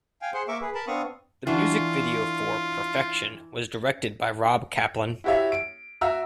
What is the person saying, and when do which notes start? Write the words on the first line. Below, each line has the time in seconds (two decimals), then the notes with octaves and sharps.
The music video for "Perfection" was directed by Rob Kaplan.
0.22 F5 G5 G#5
0.34 G#4 C5 F#5 C6
0.48 A#3 A#4 E5 C#6 D6
0.61 G#4 B4
0.75 A#4 A5 B5
0.87 B3 C4 D4 F5 C#6 D#6
1.47 E3 D4 F4 F#4
5.24 E4 F#4 G4 C#5 E5
5.52 D7
6.01 F#4 E5 A#5 E6